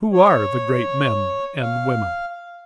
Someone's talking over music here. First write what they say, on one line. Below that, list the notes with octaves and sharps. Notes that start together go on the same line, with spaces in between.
Who are the great men and women?
C#5
F5